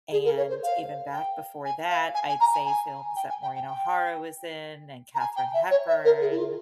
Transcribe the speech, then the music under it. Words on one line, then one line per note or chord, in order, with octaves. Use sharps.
and even back before that, I'd say films that Maureen O'Hara was in and Katharine Hepburn.
G#4
A#4
C#5
C5
F5
G5
G#5
F5
G#5
G#5
A#5
G#5
G#5
G5
G#5
G5
G5
G5
A#5
G#5
G5
E5
C#5
E5
A#4
G#4
E4
F4